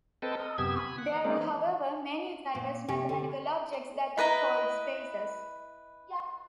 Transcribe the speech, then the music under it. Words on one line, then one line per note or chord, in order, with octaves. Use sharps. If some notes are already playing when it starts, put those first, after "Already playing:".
There are however, many diverse mathematical objects that are called spaces.
C4 A4 B4 D#5 G5 A5
D#5
F#2 C3 B3 G4 E6 G#6
G#5 B5
F#5
G#3 A#3 C4 C#4 D#4 D5
A#2
C3
D3
E4 B4 D#5 A#5